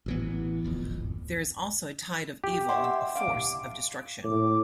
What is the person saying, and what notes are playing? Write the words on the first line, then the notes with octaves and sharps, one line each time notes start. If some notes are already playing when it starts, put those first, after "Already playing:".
There is also a tide of evil, a force of destruction.
A1 E3 B3
D1 G#1 F2
G4
D4 E4 C#5 D#5 F#5 C6
E6
A#3 D4 F5 D6
A2 D6